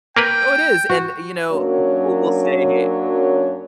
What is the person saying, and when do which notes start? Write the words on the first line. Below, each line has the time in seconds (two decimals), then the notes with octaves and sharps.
Oh, it is! And, you know, people will say
0.17 A#3 A#4 B4 G5
0.89 F#4
1.52 F#2 F#3 A#3 C#4 D4 C#5